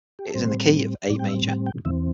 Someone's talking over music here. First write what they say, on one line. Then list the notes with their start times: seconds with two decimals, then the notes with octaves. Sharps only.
It is in the key of A major.
0.19 G4
0.26 A4
0.34 A2 G3 C4 C5
1.10 A2 G3 C4 D5
1.19 G5
1.29 E5
1.48 G5
1.66 G5
1.85 E2 E3 C4 E5